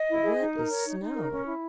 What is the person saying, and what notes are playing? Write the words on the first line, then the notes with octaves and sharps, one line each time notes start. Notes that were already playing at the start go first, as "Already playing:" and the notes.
"What is snow?"
Already playing: D#5
E4
G#4
D#4
A#4
C#5
D#4
D#4
A#4
C#4
E4